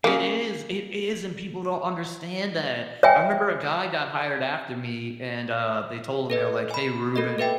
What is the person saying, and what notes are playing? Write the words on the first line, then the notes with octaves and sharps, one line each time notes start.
It is! It is, and people don't understand that. I remember a guy got hired after me, and, uh, they told him, they were like, "Hey, Ruben"
C#3 A#3
C#5 E5 G5 G#5
A4 B4 D#5
G#5 B5
A#3 F#4 A4 A#4 D#5
A4 B4 E5 G5